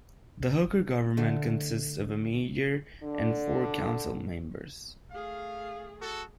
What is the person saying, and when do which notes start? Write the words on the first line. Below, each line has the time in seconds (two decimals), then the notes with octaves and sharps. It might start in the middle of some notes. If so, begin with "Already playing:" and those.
The Hooker government consists of a mayor and four council members.
1.17 D3 A3
3.03 D3 D4
5.11 A3 G#4 F5
6.01 F#4 A4